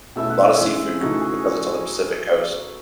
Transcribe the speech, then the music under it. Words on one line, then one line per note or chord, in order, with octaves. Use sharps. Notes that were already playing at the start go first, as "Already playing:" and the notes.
lotta seafood because it's on the Pacific Coast.
B2 A3 C#4 E4 E5
F#5
E5
E3 G#3 C#4
C#3 E3 A3 D#4 F#4
G#4